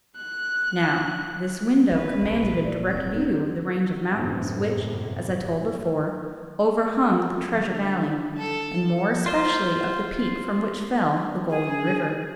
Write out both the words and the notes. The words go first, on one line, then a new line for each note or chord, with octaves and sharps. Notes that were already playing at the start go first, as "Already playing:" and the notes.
Now this window commanded a direct view of the range of mountains, which, as I told before, overhung the Treasure Valley, and more especially of the peak from which fell the Golden River.
F#6
D3 B4
B1 C3
G1 A#2
D3 D5
D#1 G#2 C4 G6
D#4
G1 F#2 A2 C3
D3
A4
F4 C5
G#4